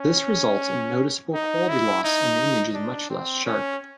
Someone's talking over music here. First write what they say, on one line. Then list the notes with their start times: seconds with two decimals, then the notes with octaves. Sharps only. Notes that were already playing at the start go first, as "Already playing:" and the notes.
This results in noticeable quality loss and the image is much less sharp.
Already playing: C#4
1.34 D#4
1.69 E4
2.04 D#4
2.75 D4
3.10 C4
3.46 C#4